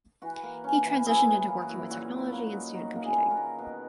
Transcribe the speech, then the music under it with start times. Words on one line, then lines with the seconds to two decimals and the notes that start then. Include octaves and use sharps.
He transitioned into working with technology and student computing.
0.22 E3 F#4
0.43 A#3
0.64 C#4
0.85 E3
1.06 F#2 E4 G#4
1.27 E3
1.48 A#3
1.62 F#4
1.69 E4
1.90 A#2 F#4
2.11 F#3
2.18 E4
2.32 A#3
2.47 F#4
2.53 D#4
2.74 D#3 F#4
2.95 A#3
3.03 E4 G#4
3.17 D#4
3.30 F#4 A#4
3.37 D#3
3.59 B2